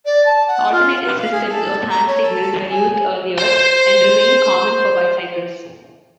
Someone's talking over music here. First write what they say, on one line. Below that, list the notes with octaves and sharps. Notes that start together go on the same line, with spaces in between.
Alternative systems of hand signals were used earlier, and remain common for bicycles.
D5
A5
F#5
F4
B4
F5
G#4
A4
A#5
C#5
A4
G#5
C5 C6